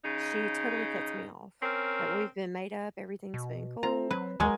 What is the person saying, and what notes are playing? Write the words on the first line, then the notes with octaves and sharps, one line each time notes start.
she totally cuts me off. Like, we've been made up, everything's been cool,
C#3 D#4
C4 C#4 A#4
B2
C4 F4 A#5
F#3 B4
D#2 F#3 G#3 A#4 G#5